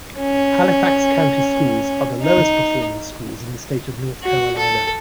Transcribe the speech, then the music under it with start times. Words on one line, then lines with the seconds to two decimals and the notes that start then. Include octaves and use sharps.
Halifax County Schools are the lowest performing schools in the state of North Carolina.
0.20 C#4
2.22 D#4
4.23 F#4
4.58 A4